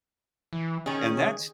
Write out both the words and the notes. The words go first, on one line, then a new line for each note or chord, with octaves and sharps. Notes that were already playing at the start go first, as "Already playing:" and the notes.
and that's
E3
D#3 C#4 G#4